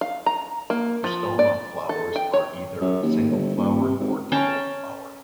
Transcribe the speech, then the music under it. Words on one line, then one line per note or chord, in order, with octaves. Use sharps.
"Eustoma" flowers are either single-flowered or double-flowered.
F5
A#5
A#3
F3
D5
A4
G5
C#5
F#2
D#2
G1
D#1
C3
G#1
C#4 G5 A5 A#5